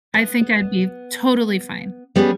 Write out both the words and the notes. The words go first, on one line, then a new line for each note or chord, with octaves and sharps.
I think I'd be totally fine.
B3
G3 B3 C#4 F4 G#4